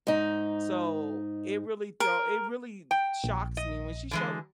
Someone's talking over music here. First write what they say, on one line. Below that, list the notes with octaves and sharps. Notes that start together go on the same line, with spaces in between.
so it really throw it really shocks me, when she showed
G#2 D#4
A#4
G5
A#1
D#5
D3 E3 G#3